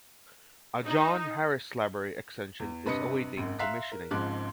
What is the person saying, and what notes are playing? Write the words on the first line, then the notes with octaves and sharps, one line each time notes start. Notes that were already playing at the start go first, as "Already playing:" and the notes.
A John Harris Library extension is awaiting commissioning.
D#4
E2
G2 C3 B4 D#5 D#6 C#7
G#1 F#2
E5 F5 A#5 C6 F#6 B6
A#4
G#1 G#2 C#3 F3 D6 F#6